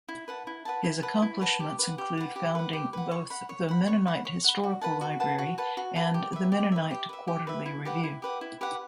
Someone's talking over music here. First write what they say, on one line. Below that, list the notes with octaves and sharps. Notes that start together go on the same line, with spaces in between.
His accomplishments include founding both the Mennonite Historical Library and The Mennonite Quarterly Review.
E4
B4 F#5 A5
E4
B4 F#5 A5
E4
B4 F#5 A5
E4
B4 F#5 A5
G4
B4 F#5
G4
B4 F#5
G4
B4 F#5
G4
B4 F#5
C#5
F#5 B5
C#5
F#5 B5
C#5
F#5 B5
C#5
F#5 B5
F#4
B4 F#5 A5
F#4
B4 F#5 A5
F#4
B4 F#5 A5
F#4
B4 F#5 A5
G4
B4 E5
G4
B4 E5
G4
B4 E5
G4
B4 E5
E4
G4 B4 F#5
E4
G4 B4 F#5
E4
G4 B4 F#5